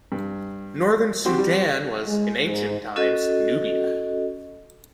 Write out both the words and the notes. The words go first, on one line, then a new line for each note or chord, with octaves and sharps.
Northern Sudan was in ancient times Nubia.
G2
C4 F#4 G4 C6
G3
G#3
G#2
C#4 F#4 A4 D#5